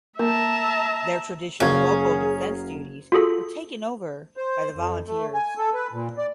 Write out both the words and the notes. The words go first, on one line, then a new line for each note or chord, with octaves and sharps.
Their traditional local defence duties were taken over by the Volunteers.
A#3 A#4 E5 A5 A#5
F#1 C#4 F#4 G#4 A#4 F5 G#6
F4 F#4 G#4 A4
C5
F2
A3
G#5
A4
B4
A#2
D5